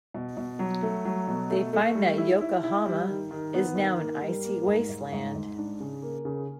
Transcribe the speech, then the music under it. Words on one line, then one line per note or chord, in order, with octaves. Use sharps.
They find that Yokohama is now an icy wasteland.
B2
B2
F#3
A3
F#3
B2
A3
A3
G3
E4
E4
E4
G3
D#3
D#3
B3
D#3
A#3
G3
A#3
G#2
G#2
G#2
G#2
D4
C#3
A#3
C#3